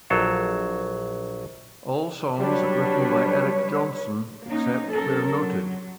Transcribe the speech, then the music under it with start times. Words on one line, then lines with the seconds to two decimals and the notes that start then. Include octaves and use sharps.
All songs written by Eric Johnson, except where noted.
0.10 A#1 F#3 A4 F5
2.38 F#3 G3 D4 B4 C#5
4.45 A#3 C#4 D#4
4.89 F#3 C#4 A4 A#4
5.37 F#3